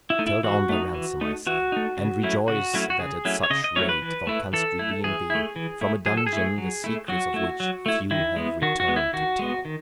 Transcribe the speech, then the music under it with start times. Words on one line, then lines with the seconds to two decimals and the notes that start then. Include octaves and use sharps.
Tell down thy ransom, I say, and rejoice that at such rate thou canst redeem thee from a dungeon, the secrets of which few have returned to tell.
0.10 E4
0.19 A3 D#4
0.27 E4
0.43 E3 F#4
0.69 A3 D#4
0.94 E3
1.21 A3 D#4
1.47 E3 F#4
1.72 A3 D#4
1.97 C#3
2.23 F#3 A3 C#4 E4
2.48 C#3 F#4
2.74 F#3 A3 C#4 E4
2.90 F#4
3.00 C#3 G#4
3.25 F#3 A3 C#4 E4
3.43 C#5
3.50 C#3 D#5
3.64 D#5
3.76 F#3 A3 C#4 E4 C#5
3.89 B4
4.02 E3
4.27 A3 E4
4.53 E3 A4
4.79 A3 E4
5.04 E3 G#4
5.30 A3 E4
5.56 E3
5.81 A3 E4
6.06 F#3 G#4
6.17 A4
6.27 G#4
6.33 A3 E4
6.58 F#3
6.84 A3 E4
7.08 F#3 F#4
7.34 A3 E4
7.60 F#3
7.86 A3 E4
8.11 D#3 E4
8.36 G#3 B3
8.62 D#3 F#4
8.80 F#4
8.88 G#3 B3
8.96 E4
9.13 D#3 F#4
9.39 G#3 B3
9.65 D#3